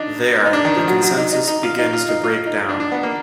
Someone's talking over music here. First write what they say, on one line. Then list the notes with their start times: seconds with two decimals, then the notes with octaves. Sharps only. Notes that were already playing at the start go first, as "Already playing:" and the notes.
There, the consensus begins to break down.
Already playing: D4 D#4
0.45 D#4
0.53 D4
0.65 D#3
0.76 F3
0.87 F#3
1.02 F#3
1.17 D#4
1.33 D#4
1.48 D#4
1.63 F4
1.79 D#4
1.93 F4
2.09 D#4
2.24 F4
2.46 D#4
2.69 D4
2.80 D4
2.92 B3
3.03 A#3